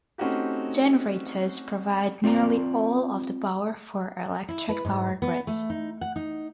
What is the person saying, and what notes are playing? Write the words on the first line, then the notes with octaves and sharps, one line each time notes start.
Generators provide nearly all of the power for electric power grids.
A3 C4 C#4 D#4 F#4 G4
C4 F4 D5 A#5
E4
B4
G#2
B3
A3
D#4
F#5
D#4